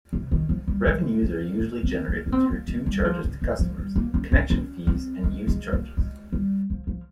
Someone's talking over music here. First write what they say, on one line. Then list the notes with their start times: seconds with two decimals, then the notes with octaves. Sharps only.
Revenues are usually generated through two charges to customers: "connection fees" and "use charges".
0.13 C3
0.31 D#3
0.49 F3
0.68 G3
0.86 G#3
1.22 C4
1.58 C#4
1.83 C4
2.08 A#3
2.26 C#4
2.32 C4
2.50 A#3
2.68 G#3
2.86 G3
3.00 G3
3.05 F3
3.24 C#3
3.42 D#3
3.59 F3
3.78 G3
3.96 A#3
4.14 C#4
4.32 C#4
4.50 C#4
4.87 C4
5.24 G#3
5.47 G#3
5.73 A#3
5.97 G#3
6.33 G3
6.70 F3
6.87 F3